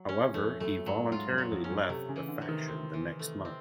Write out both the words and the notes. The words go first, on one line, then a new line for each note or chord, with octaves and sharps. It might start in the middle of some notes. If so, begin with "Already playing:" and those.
However he voluntary left the faction the next month.
Already playing: F#3
C#4
F2 A3
F#2 A3
G#2 F#3
G#2 F4
F#2
F#3
F2
C#4
F#2
C3 A3
C#3
E3
D3
C3
D#3
C4
E3
A3
C4